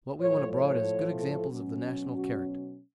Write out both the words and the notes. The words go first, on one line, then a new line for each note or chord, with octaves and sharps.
What we want abroad is good examples of the national character.
A2 F3 A3 C#5
C#5
A4
B2 F#3 C#4
F#4